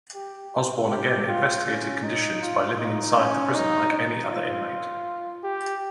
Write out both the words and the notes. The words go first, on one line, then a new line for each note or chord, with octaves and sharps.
Osborne again investigated conditions by living inside the prison like any other inmate.
G4
G4
F4
C#4
D#4
F4
D#4
C#4
D#4
D#4
F4
G4